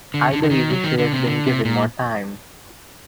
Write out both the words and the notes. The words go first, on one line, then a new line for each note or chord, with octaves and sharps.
I believe he should have been given more time.
D3
D3
D3
D#3
F#3
D#3
D3
C3
D3
C3
A#2